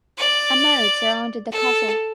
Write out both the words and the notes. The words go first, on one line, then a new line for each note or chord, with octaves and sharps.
A moat surrounded the castle.
D5
A4